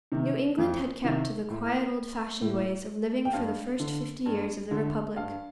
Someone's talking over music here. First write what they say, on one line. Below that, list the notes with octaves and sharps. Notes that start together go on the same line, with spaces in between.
New England had kept to the quiet old-fashioned ways of living for the first fifty years of the Republic.
C3 D#3
F2
C3 D#3
A2
A2
G5
G2 F5
D3
G2
D3
G2 F5